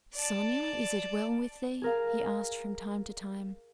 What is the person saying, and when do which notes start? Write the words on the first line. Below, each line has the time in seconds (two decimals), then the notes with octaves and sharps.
"Sonya, is it well with thee?" he asked from time to time.
0.15 D5 A5
1.82 G#4 A#4 F5